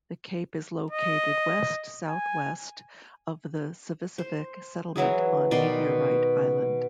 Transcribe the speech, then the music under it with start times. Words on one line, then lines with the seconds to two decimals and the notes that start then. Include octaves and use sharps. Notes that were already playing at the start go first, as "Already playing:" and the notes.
The cape is located west-south-west of the Savissivik settlement on Meteorite Island.
0.90 D#5
2.08 G#5
4.18 C5
4.96 E3 F#3 E4 G#4
5.51 B2 D#3 D5 C6